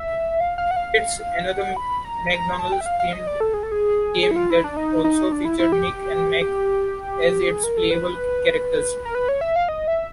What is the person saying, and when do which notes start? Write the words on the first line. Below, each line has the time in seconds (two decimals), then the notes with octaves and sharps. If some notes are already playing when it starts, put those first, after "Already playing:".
Kids, another McDonald's-themed game that also featured Mick and Mack as its playable characters.
Already playing: E5
0.40 F5
0.58 F5
0.71 F#5
0.76 F5
1.49 F#5
1.77 B5
2.05 A#5
2.31 A#5
2.59 A5
2.72 G5
2.81 E5
2.86 F5
3.00 F5
3.13 D#5
3.27 D5
3.40 A4
3.54 G#4
3.63 A4
3.72 G#4
4.23 G#4
4.31 E4
4.36 F4
4.50 E4
4.64 D4
4.77 D#4
5.04 D#4
5.32 D4
5.45 E4
5.60 E4
5.72 G4
6.41 G4
7.50 G#4
7.64 A#4
7.77 A4
7.91 B4
9.05 A#4
9.15 B4
9.29 C#5
9.41 E5
9.56 F5
9.69 D#5
9.88 E5